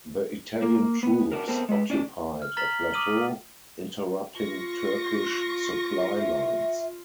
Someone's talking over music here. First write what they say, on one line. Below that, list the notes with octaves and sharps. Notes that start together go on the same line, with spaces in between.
The Italian troops occupied a plateau, interrupting Turkish supply lines.
A#3
B3
D4 F#4 A#4
B3 C4 A4 A#4
G#3 B4
C#4 D5
F6
A#5 F6 A6 B6 F#7 G7
D6 D#6 F6 D#7 F#7 G7
F4 C#6 A#6
E5